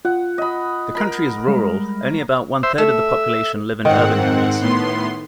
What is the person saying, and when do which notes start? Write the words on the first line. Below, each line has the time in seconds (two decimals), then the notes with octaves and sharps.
The country is rural: only about one-third of the population live in urban areas.
0.05 F4 F#5
0.38 D#5 B5
0.95 A#4 B5
1.48 G3 G#3
2.63 C5 E5
2.78 A3 E5
3.85 G#2 D#3 C4 F#5
4.60 A2 B3 C6